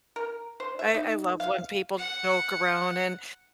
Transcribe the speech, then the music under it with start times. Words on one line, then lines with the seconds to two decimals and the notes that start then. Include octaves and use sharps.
I I love when people joke around, and
0.16 A#4
0.60 C5
0.79 E5
0.94 D#4
1.40 F5
1.97 F#5 C#7